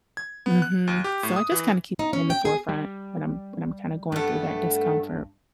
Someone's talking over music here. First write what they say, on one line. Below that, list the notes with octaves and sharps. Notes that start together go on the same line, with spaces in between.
Mhm. So I just kinda keep that in the forefront when I'm when I'm kinda going through that discomfort.
G#6
B3
F#6
D#2
G4
A2
D#6
E3
D#4
C#4
G5
G#4
G3
G2 A3 B3